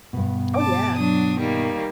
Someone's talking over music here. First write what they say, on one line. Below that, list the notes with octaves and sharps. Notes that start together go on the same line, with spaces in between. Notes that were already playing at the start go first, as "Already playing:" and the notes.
Oh, yeah.
G2 B2
A5 D6
F#3 D4 D#6
D#3 G3 A#3